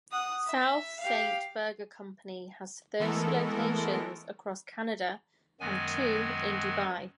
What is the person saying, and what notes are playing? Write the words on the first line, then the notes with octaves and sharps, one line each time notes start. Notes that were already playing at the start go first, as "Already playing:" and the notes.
South Saint Burger Company has thirty locations across Canada and two in Dubai.
F#5 D#6
E5
G4 F5
E3 G#3 A3 B3 A4 A#4
F#2 D#3 F#3 G#3 B3 G#5